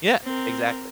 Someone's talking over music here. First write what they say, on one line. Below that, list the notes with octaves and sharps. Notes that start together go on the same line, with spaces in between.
Yeah. Exactly.
C4 A#4